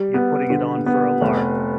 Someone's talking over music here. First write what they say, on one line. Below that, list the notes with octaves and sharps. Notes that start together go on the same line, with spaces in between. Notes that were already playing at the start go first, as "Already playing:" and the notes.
You're putting it on for a lark.
Already playing: G3
B3
D3
B3
F1